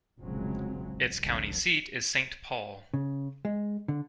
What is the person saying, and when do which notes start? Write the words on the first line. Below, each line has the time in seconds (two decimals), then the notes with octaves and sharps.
Its county seat is Saint Paul.
0.19 F1 A#1 C#3 F#3 G#3 C4
0.83 A1
1.21 F1 C2 D3
2.94 C#3
3.45 G#3
3.88 D3